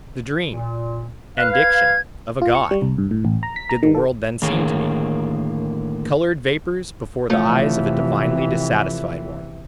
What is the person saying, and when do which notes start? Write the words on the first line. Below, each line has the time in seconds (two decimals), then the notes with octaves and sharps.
The dream--and diction--of a God, did the world then seem to me; coloured vapours before the eyes of a divinely dissatisfied one.
0.50 A#2
1.38 B4 F5 F#6
1.53 G#6
2.42 F4
2.55 C#6
2.71 G3
2.82 C2
2.98 G2
3.11 A2
3.25 A1
3.43 A#5
3.56 B6
3.69 A#5
3.83 D#3
3.95 A4
4.42 A2 D3 D#3 A#3 G#4 C#5
7.30 C3 E3 F3 A3 C#5